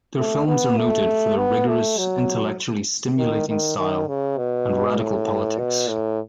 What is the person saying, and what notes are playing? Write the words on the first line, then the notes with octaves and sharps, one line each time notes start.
Their films are noted for their rigorous, intellectually stimulating style and radical politics.
A3
B3
A3
B3
A3
F#3
D#3
D#3
D#3
C#3
B2
A2
B2
A2